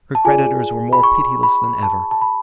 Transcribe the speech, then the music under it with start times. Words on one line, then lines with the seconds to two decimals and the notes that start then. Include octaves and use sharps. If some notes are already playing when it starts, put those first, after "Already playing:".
Her creditors were more pitiless than ever.
0.15 A5
0.25 F4 G#4 D5 G#5
0.93 B5
1.03 C#6
1.43 B5
1.83 A5
2.11 A5
2.21 B5